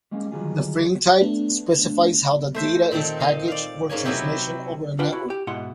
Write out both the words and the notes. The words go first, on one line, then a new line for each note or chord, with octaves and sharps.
The frame type specifies how the data is packaged for transmission over the network.
G3 G#3 A#3 C#4
D3 D#3 F#3 G3 F4 G#4
A3 B3 D4
A3 C5 E5
A#2 D#3 C4 A4
D#5 F5
D5 F5
G#2 A#3 C#4 G#5
C3 F#3 B3 E4 G4
D4 F4 B4 F#5 G5
E4 F#4
G4
G#2 B2 E4 F#5 C6